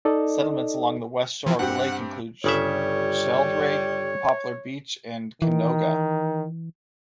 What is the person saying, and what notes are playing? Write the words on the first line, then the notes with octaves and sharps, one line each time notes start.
Settlements along the west shore of the lake include Sheldrake, Poplar Beach, and Canoga.
D#4 A4 D5 D#5
E3 F3
G2 C4 G4 F#5
G1 C#3 G3 C#5 E5
D#3 E3